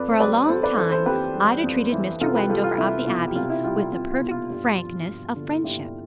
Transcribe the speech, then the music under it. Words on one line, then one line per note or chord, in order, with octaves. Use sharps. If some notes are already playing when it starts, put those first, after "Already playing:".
For a long time Ida treated Mr. Wendover of the Abbey with the perfect frankness of friendship.
Already playing: F2 B4 D5
C5
G3 B4 D5
F2 A4 C5
B4 D5
E3 A4 C5
A4 C5
F2 G4 B4
G3
F2
E3
C2 F4 A4
G4 B4
G3 F4 A4
F4
C2 E4
B2 F4
G4
C2 F4
E4
G3 F4
F4
C2 F4
F4
B2
F4
G2
F3
G2
D3
G2 E4 G4